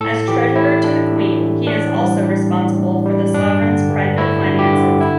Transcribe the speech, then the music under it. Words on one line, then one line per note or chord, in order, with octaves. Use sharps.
As Treasurer to the Queen, he is also responsible for the Sovereign's private finances.
A2 A4
E3 G4
A2 E4
A3 D4
A2
E3
A2 D4
G3
G3
A2
A2
G3
G2 D4
D3
G2
A3 E4
G2
G4
D3
E4